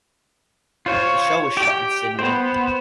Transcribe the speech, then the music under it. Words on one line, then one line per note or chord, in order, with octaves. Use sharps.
The show was shot in Sydney.
F4 C5 C#5
G4 G5
B3 C5